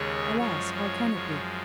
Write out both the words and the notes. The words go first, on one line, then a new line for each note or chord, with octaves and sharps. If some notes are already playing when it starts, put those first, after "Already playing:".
Alas, how can it be?
Already playing: D#2 C#3 G#3 C#5
F#2 F3 G#3 C#5
C#5
F#2 F3 G#3